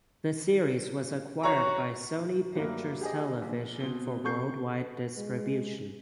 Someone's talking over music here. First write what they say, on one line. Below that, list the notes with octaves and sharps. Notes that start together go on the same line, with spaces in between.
The series was acquired by Sony Pictures Television for worldwide distribution.
F#4 C#5 A#5
G2 F#3 A3 A#3
G4 G#4 D#5
A#1
B2 C4 G7
C3 A4 C#6 G6 C7
G#3